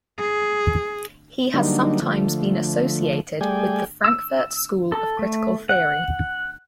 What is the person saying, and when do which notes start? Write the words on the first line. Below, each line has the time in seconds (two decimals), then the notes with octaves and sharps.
He has sometimes been associated with the Frankfurt School of critical theory.
0.19 G#4
1.54 D3 F#3 G3 A#3 D4 D#4
2.02 D3 F3 A3
3.41 G3 A3 G#4 D5 G5 G#5
4.04 E6
4.92 A4
5.19 A3
5.69 F#5